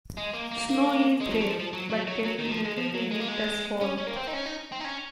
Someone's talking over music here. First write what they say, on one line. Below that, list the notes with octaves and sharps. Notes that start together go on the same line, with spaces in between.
Snow is rare, but can be heavy when it does fall.
G#3
A#3
A#3
A#3
G#3
F#3
F3
F#3
F3
F3
F#3
F#3
F#3
F#3
D#3
F3
G#3
F3
F#3
G#3
A#3
G#3
C#4
C#4
A#3
C4
D#4
C#4
D#4
C4
D#4
C#4